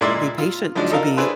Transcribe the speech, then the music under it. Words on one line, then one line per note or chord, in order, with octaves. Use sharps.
the patient to be
A#2 G#3 E4 D5 C6
F4
F3 F#3 G#3 D4
D#4 A4 A#4 F5
D4 E4 G#4 B4 C5